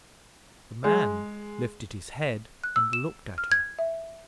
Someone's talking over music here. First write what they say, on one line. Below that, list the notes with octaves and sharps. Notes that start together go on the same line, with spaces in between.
The man lifted his head, and looked at her.
G#3
F#6
E6
E7
F6
G#6
E5